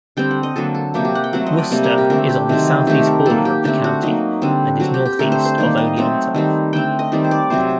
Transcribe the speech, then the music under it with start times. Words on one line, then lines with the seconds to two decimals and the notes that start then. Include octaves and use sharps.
Worcester is on the southeast border of the county and is northeast of Oneonta.
0.17 D3 G3 C4 G5
0.31 F#5
0.43 D#5
0.56 D3 F#3 A#3 A4
0.75 A4
0.94 C3 F#3 A#3 G4
1.05 G4
1.15 F#5
1.24 G5
1.33 F#3 A3 C4 F#5
1.47 D#5
1.58 D5
1.71 C3 G3 A#3
1.84 A#4
1.98 G4
2.10 D3 A3 C4 A#4
2.29 G4
2.49 C3 D#3 F#3 C4
2.87 D#3 A3 C4 G4
3.07 A#4
3.26 F#3 A#3 A4
3.45 G4
3.64 D3 A3 C4 G4
3.84 F#4
4.03 F#3 A#3 D#4
4.42 D3 G3 C4
4.80 F#3 C4 F#4
4.94 G4
5.05 G4
5.19 D3 A3 C4 A#4
5.32 C5
5.45 C5
5.58 D#3 G3 A#3 D5
5.77 D#5
5.96 F#3 A3 C4
6.35 D#3 G3 C4
6.73 D3 A3 C4 G5
6.99 D#5
7.12 D#3 G3 C4 D5
7.24 C5
7.31 D5
7.50 C3 F#3 C4 C5